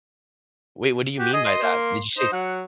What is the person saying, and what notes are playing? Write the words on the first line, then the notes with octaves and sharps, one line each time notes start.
Wait, what do you mean by that? Did you say
F#4 G4
G#4 D#5
C6
A#3
D#4 C5
F#3 F#5